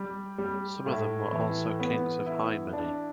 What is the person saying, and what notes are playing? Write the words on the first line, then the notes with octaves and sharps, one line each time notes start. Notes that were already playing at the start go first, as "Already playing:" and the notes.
Some of them were also Kings of Hy-Many.
Already playing: G3
G3
A2
E3
B3
E4
D4